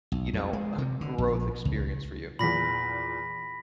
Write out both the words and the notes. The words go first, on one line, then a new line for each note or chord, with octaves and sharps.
you know, a growth experience for you.
B1
F2
G#3
C3
D3
A#1
C#2
E2 A#2 B5 A#6 B6